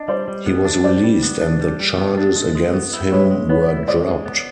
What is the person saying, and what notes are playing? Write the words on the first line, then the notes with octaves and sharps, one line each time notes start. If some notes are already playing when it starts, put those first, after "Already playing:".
He was released, and the charges against him were dropped.
Already playing: D4 D#5
G3 C5 D5
G3
B3
D4
G3 C5 D5
G3
B3
D4
G3
G3
B3
D4
G#3
G#3
B3
E4
G#3 B4 C#5
G#3
B3 B4 C#5
E4
G#3 C5 D5
G#3
B3